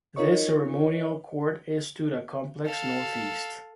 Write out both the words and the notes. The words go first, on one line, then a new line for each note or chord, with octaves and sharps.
This Ceremonial Court is to the Complex north-east.
D#4 F4 A#4 C#5 D#5 C#6
A4 F5